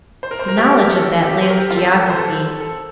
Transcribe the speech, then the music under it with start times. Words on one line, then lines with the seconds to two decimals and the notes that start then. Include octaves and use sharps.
The knowledge of that land's geography . . .
0.23 C5
0.31 A#4
0.39 C5
0.48 A#4
0.57 G4
0.65 A4
0.74 G4
0.82 A#4
0.91 A4
1.25 G4
1.33 A4
1.42 C5
1.50 A#4
1.59 G4
1.70 F4
1.77 A4
1.82 G4
1.93 A4
2.10 C5
2.18 A4
2.60 A4